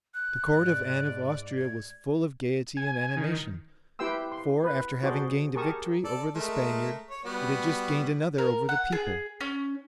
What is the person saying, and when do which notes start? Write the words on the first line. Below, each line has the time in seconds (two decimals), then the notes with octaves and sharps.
The court of Anne of Austria was full of gayety and animation; for, after having gained a victory over the Spaniard, it had just gained another over the people.
0.14 F#6
0.54 G#2 D5
1.57 G#6
2.77 G#5
3.17 D#3
3.99 E4 G4 B4 G5 C6 E6
4.32 C6
4.64 B4
5.03 F#4 G#4 A4 C5 D5
5.55 G4 G#4 A#4 A5 C#6 D#6
6.04 A4 D5
6.35 G#3 A3 A#4
7.10 C#5
7.25 G3 B3 F#4
8.38 A#4
8.69 F#5
8.92 G#4
9.41 C#4